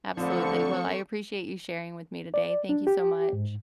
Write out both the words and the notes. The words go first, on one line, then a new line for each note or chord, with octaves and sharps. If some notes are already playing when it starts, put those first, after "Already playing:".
Absolutely, well, I appreciate you sharing with me today, thank you so much.
F2 D3 F3 A3 C4 A4 C#6
D5
D4
G4
G#2